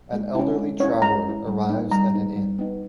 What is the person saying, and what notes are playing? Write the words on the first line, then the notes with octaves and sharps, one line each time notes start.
An elderly traveler arrives at an inn.
G#3
C#4 E4
G#3
C#4 E4 C#5
G#3 A#5
C#4 E4
G3
B3 D#4
G3 A#5
B3 D#4
G3
B3 D#4